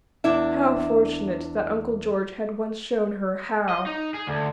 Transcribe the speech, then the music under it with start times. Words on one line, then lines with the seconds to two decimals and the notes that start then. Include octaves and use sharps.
How fortunate that Uncle George had once shown her how!
0.24 E2 D4 E4 E5
3.69 D#5
3.86 D#4
4.14 G#4
4.27 D2